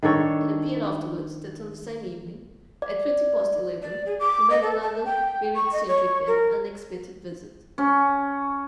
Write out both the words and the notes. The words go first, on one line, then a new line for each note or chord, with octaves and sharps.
It appeared afterwards that on the same evening, at twenty past eleven, he made another very eccentric and unexpected visit.
D#3 D4 A4 C#5
D5
D5
G#4
D6
D#5
A4
A5
G5
C#6
D#5
C#5
A#4
C#4